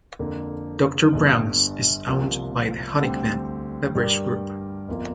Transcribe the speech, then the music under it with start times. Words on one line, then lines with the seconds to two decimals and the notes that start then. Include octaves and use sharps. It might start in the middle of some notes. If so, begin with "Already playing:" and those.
Doctor Brown's is owned by the Honickman Beverage Group.
0.19 F2 D3 A#3 D4
1.13 G1 G2 D3
2.06 C2 C3 F3 A#3
3.01 D2 D3 G3 C4
3.95 G2 G3 D4 A#4 D5
4.88 G1 F2 F3 A#3